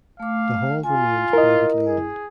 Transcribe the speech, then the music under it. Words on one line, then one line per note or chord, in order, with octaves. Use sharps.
The hall remains privately owned.
A3 F5 D6
F4 G#5
E4 A#4 D#5
G#4